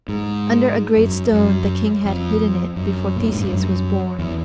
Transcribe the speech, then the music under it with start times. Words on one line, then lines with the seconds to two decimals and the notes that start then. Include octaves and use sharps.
Under a great stone the king had hidden it before Theseus was born.
0.09 G#2
0.97 F#2
1.33 F#2
2.05 F2
2.76 F#2
3.16 A#2
3.24 A2
3.32 G#2
3.40 G2
3.48 F#2
4.19 E2